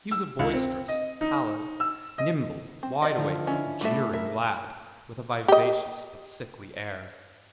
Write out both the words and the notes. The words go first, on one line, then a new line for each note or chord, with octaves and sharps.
He was a boisterous, pallid, nimble, wide-awake, jeering, lad, with a vivacious but sickly air.
E6
C#2
C4
D#5
D#4
E6
D#5
C4
D5 D#5
D3 D#3 F3
C#4 D4 E4
A2 G3 F#4 A4 E5
A#4 E5
G4 D#5